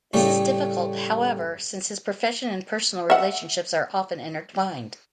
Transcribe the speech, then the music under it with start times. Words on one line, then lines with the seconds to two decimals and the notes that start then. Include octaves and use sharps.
This is difficult, however, since his profession and personal relationships are often intertwined.
0.13 A2 C#3 G3 A3
3.10 E5 F#5